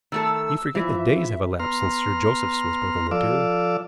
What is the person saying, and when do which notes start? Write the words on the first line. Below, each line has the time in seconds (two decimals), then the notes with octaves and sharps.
"You forget that days have elapsed since Sir Joseph's was broken into."
0.12 D#3 A3 A4 E6
0.75 E3 F3 E5
1.60 B3 A#5 C6 F6
3.11 F3 A4 D5 F5 D6 E6